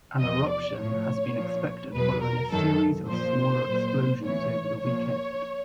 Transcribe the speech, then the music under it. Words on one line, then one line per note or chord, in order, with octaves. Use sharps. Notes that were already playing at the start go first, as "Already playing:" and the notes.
An eruption had been expected following a series of smaller explosions over the weekend.
E2 C3 F3 D#5
D5
A2 F3 C#5
A#2 F3
E2 B2 F#3 B4
A#4
F#2 D#3 F#3 A4
A#2 F3 C5
A#2 F#3
A2 E3 C#5
A#2 F3 C#5